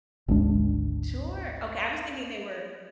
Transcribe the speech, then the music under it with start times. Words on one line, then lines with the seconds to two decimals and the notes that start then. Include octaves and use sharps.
Sure, okay, I was thinking they were
0.28 G#1 D2 G#3 D4